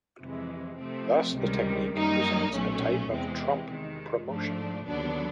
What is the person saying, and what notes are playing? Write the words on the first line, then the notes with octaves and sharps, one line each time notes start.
Thus, the technique presents a type of trump promotion.
F2 C3 E3 G#3
C3 F3 A3 C4
C#2 C3 D#3 G3
F#2 D#3 G3 A#3 D#4
B1 A#2 F#3 A3 C#4
E2 C3 E3 G#3 C4
C3 D#3 G#3
G#2 F3 A3 D4
D#2 D3 F#3 B3 D4